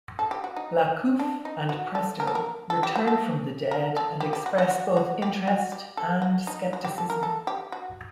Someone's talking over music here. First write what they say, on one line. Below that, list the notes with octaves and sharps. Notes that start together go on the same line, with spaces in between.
Lacouf and Presto return from the dead and express both interest and scepticism.
A4
G4
F#4
D#4
D4
D#4
F#4
A4
A#4
A4
A#4
A4
G4
F#4
A4
A#4
A4
G4
G4
F#4
F#4
F#4
F#4
G4
F#4
G4
A4
F#4
D#4
F#4
G4
A4
A#4
A4
G4
F#4